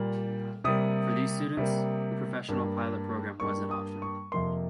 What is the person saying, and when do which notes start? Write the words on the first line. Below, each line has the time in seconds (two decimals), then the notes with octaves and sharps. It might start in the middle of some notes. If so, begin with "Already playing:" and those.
For these students, the Professional Pilot program was an option.
Already playing: A#2 G3 A#3
0.64 C3 G3 A#3 D#6
1.57 C3 G3 A#3
2.49 G2 G3 A#3
3.40 G2 G3 A#3 C#6
3.71 D#6
4.02 C#6
4.32 F2 C3 F3 A#3 C6